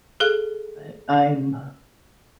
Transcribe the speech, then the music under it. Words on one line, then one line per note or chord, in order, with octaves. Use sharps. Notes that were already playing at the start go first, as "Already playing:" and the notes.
But I'm
G#4 A4 F5